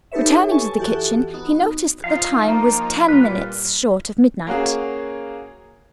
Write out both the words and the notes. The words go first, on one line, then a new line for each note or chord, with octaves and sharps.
Returning to the kitchen, he noticed that the time was ten minutes short of midnight.
D#4 G4 A4 B4 C#5 E5
G#5 A5 C#6
F2 E3 F#4 G4 A4
B3 D#4 F#4
F3 D#4 F4 F5
A#3
A#2 G3 F4 B4
A#3 C#4 F#4 G#4